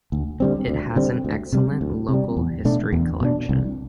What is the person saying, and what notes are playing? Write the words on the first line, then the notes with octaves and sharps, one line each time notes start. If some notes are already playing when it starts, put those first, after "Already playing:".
It has an excellent local history collection.
D2
D3 G3 C4
D2
D3 G3 C4
D2
C3 G3
D2
C3 G3
E2
B2 A3 D4
E2
B2 A3 D4
C2